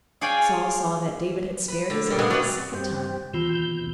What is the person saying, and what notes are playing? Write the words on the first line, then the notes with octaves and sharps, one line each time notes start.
Saul saw that David had spared his life a second time.
G#4 C#5 D5 F5 G5 G#5
B4
D3
A#2 C#3
G2 B2 B3 G#4
F#3 B3 D5 F#5 B5
G2 C4 G4 C6 G6
D#2 B2 E3 F4 G6 E7